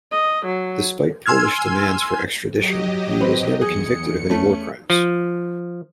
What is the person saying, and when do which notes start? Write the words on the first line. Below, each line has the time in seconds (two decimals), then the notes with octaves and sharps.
Despite Polish demands for extradition, he was never convicted of any war crimes.
0.12 D#5
0.46 F#3
1.26 G#5 C6 E6 F6 G#6
2.55 F#3 G4 D#5
3.21 C4 B4
3.61 E2 G#4 C#7
4.30 A3 C#4
4.90 F3